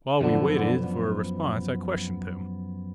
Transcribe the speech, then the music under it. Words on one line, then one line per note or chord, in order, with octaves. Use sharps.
While we waited for a response I questioned him.
F#2 D3 F3 B3